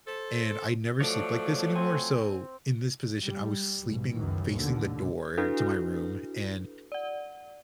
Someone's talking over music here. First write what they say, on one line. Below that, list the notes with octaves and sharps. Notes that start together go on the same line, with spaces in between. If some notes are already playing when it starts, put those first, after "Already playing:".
and I never sleep like this anymore, so in this position, I was sleeping facing the door to my room, and
A4 C5
F3 F#3 A3 A4 C#5 D5
C4 G#5
G3
B1 G#2 B2
C#2 F#2 D#3 E3 F#3
A1 D#2 B2 D3
D4 E4 F#4 A4 B4
D5 F#5